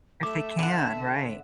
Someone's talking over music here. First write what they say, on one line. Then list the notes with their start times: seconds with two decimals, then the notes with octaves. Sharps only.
If they can, right.
0.23 A3 E5 D6
0.59 D3 F#5 A5